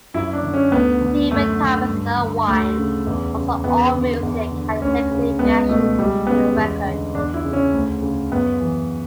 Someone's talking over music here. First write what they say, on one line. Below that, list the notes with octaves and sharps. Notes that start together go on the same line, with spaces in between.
Stephen Thomas Erlewine, also of Allmusic, had a negative reaction to the record.
F#2 E4
D4
D3
C#4
D2 B3
D3
F#2 A3
D3
G2
D3
D2 A3
C#3
E2
C#3
E2 B3
D3
E2
D3
D2 C#4
C#3
C#2 B3
B2 A3
C#2 G3
C#3 B3
E2
D3
E2 D4
E4
C#3
C#4
D2
C#3
F#2 B3
E3